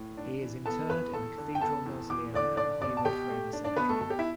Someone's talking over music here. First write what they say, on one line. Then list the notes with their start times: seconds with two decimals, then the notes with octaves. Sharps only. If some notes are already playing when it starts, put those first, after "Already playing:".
He is interred in the Cathedral Mausoleum at the Hollywood Forever Cemetery.
Already playing: A2
0.17 D4
0.42 E3
0.65 B3 A4 A5
0.89 E2 B4 B5
1.13 E2 A4 A5
1.38 D3
1.55 G5
1.61 B3 A4 A5
1.86 E2
2.10 E2 D6
2.34 D3 D5 D6
2.57 D4 D5 D6
2.81 B2 D5 D6
2.97 A5
3.05 B2 G4 G5
3.28 A3
3.53 D4
3.64 D4 D5
3.76 B2 B3 B4
3.89 A3 A4
4.01 B2 A4
4.10 G4
4.19 E4